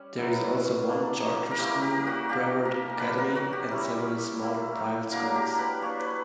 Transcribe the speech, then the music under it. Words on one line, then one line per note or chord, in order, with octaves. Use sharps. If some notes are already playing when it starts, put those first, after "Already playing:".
There is also one Charter School, Brevard Academy, and several smaller private schools.
Already playing: G3 C#4
F#3 B3 E4
A#3 D4
A#4
G3 A#3 C#4 E4 G4
G4
A#4
G4
F#4
A#3 D4 G4
A#4
F#3 B3 D4 B4
A#4
F#4
G4
G3 C#4 E4
A#3 E4
F#3 A#3 D4 A#4
G4
B4
A#3 D4 C#5
B4